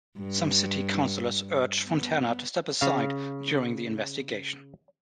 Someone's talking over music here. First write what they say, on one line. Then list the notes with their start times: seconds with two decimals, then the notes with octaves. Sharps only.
Some city councillors urged Fontana to step aside during the investigation.
0.18 G2
1.87 B3
2.81 C#3 F5